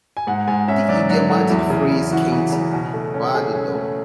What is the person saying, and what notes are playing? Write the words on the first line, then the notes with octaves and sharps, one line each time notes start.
The idiomatic phrase Katy, bar the door!
G#5
G#2 F#5
G#2 G#5
C#4 E5
F#3 D5
F#3
A3 F#4
E2 E4
C#3
E2
E3 F#4
C#3
C#3
B2
A3
C#4
A3 G#4
C#4
A3